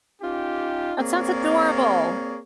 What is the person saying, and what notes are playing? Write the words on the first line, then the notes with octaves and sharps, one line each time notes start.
That sounds adorable.
C#4 D#4 F4 G4
A#3 C4 G#4 C#5 D5